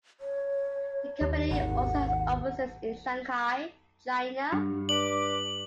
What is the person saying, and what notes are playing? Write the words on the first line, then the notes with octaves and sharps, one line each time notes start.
The company also has offices in Shanghai, China.
C#5
D#2
G#1 D#2 F#5
G2
D4 B4 D6 F#7